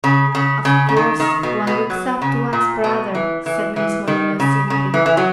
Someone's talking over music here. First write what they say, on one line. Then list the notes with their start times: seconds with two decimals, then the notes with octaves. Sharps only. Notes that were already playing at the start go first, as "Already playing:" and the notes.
"Of course one looks up to one's brother," said Miss Molyneux simply.
0.04 C#3
0.35 C#3
0.65 C#3
0.89 C#3
0.97 D#3
1.20 D#3
1.43 B2
1.67 B2
1.90 F#3
2.22 C#3
2.53 A#2
2.84 B2
3.15 E3
3.46 E3
3.76 E3
4.08 D#3
4.40 C#3
4.70 C#3
4.94 E3
5.06 E3
5.17 F#3